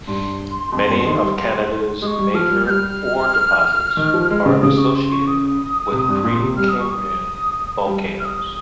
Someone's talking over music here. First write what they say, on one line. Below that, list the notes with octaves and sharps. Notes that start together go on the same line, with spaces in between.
Many of Canada's major ore deposits are associated with Precambrian volcanoes.
G2 C6
F2
G2
D#3
G3
G#3 D#6
C#6
G3
F3 F6
G3
G3 F6 G6
D#3
F3
G#3
C#3
C#3 D#6
C#6
C6
C#6
D#6
C3
G2
A#2
C3
G3 F6
D#6
C#6
D#6
G3
F6
D#6